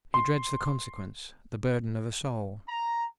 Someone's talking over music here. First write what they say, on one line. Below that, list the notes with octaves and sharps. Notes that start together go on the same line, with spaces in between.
He dreads the consequence--the burden of a soul.
C6
A#5